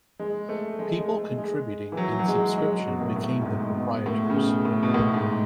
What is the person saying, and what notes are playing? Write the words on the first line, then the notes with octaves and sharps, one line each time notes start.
People contributing in subscription became the proprietors.
G#3
A3
G#3
G#3
A3
G#3
E3
F#3
F#3
G#3
G#3
F#3
B2
A2
A2
G#2
A2
B2
A2
C#3
B2
A2
B2
A2
G#2